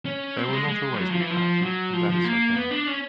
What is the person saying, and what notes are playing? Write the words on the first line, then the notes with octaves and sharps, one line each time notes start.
They will not always be right; and that is okay.
C#4
C4
G3
G#3
G#3
G3
F#3
F3
E3
F3
F#3
F3
F3
A#3
B3
D4
C#4